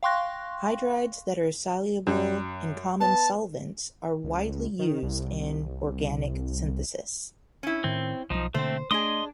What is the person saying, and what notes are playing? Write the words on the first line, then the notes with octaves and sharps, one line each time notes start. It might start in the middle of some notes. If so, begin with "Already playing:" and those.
Hydrides that are soluble in common solvents are widely used in organic synthesis.
F5 G5 C6 C#6 F#6 A#6
F#2
B3 A5
C#2
D#3
C2
C#4 E4
A2 D#3 C4
B1 F3 D#4
B2 D3 A3 A#3 C4 C5
A3 D4 G#4 D#5 C6 D#6